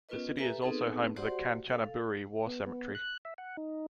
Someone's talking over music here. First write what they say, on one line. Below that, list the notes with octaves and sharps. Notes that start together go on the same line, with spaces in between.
The city is also home to the Kanchanaburi War Cemetery.
B3 C#4 F4 A#4 B4 D#5
G4 A4 B4 E5 G#5 A#5
B3 C4 D#4 G#4 A4 B4
F#4 G4 C5 D5 F#5 C6
A4 F5
B3
B3
F#6
E5
F#5
D#4